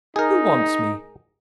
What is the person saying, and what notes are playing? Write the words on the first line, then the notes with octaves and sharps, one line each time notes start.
"Who wants me?"
D#4 G#4 A#4